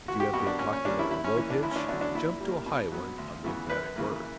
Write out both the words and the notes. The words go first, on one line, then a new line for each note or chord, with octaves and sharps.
If you have been talking on a low pitch, jump to a high one on the emphatic word.
C#2 F#4
G4
B2 G3 A#3 F#4
D4
A#2 C#4
C#4
G3 A#3 D4
E4
F#2 E4
C#4
E3 A#3 C#4
D4
D2 E4
C#4
D4
D3 F#3 B3 D4
D4
A#2 E4
G3 A#3
B2
F#3 B3
D2
C#3 E3 B3
F#2 B4
C#3 E3 A#3